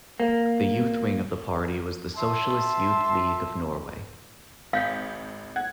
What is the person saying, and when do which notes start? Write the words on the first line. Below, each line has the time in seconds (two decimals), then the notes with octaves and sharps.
The youth wing of the party was the Socialist Youth League of Norway.
0.20 A#3
2.16 E5 A5 C6
4.73 G#1 F5 G6 B6
5.56 F#5 G#6